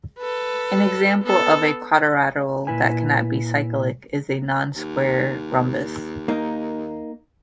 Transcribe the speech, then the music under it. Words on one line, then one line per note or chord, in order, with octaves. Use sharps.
An example of a quadrilateral that cannot be cyclic is a non-square rhombus.
A4 B4
B3 A4
A#2 E4 B4 G#5
D#2
A#3 D#4